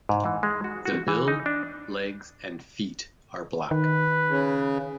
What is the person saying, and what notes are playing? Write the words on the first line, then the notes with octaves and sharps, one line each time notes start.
The bill, legs and feet are black.
G#2
E3
G#3
F#4
F#4
E3
D#4
D4
D#3 B4
C#3